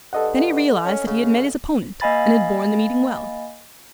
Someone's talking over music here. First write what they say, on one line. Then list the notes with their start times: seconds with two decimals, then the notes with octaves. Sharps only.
Then he realized that he had met his opponent, and had borne the meeting well.
0.13 G2 A4 D#5 F#5
0.85 C#4
1.06 C#3
2.01 A#3 D#5 F5 G#5 B5 A6